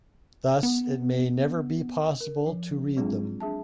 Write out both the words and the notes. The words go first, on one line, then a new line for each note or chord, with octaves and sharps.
Thus it may never be possible to read them.
B3
A#4
F3
F#3 G#3 C4 D4 F4 G#4
D4 G#4 E5 A5